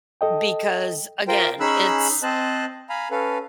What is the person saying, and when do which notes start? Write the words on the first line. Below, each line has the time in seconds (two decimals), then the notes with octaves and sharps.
because, again, it's
0.21 A4 D#5 G5
1.28 F4 A#4 C5 G5
1.60 C#4 D#4 G#4 B5 E6 F#6
2.23 C4 C5 D#5 A5 F#6
2.89 F5 G#5 A#5 B5
3.11 C#4 A4 B4 F5